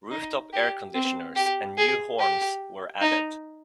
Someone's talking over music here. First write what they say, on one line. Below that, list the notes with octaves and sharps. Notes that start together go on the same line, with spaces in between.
Rooftop air conditioners and new horns were added.
D#4
G4
C4
G4
G#4
G4
D#4